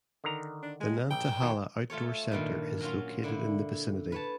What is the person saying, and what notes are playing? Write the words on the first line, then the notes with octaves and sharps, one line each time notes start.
The Nantahala Outdoor Center is located in the vicinity.
D3 D#3 A#5
D4
G#3
A#1 G5
D#2 A#2
A3 F4 A4 C#5
G2 A#2 D#3
F#3 C#4 F4
D3 E4
B4 C#5 A5